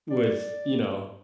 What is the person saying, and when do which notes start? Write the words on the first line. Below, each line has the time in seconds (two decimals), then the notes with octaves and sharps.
with, you know
0.11 D5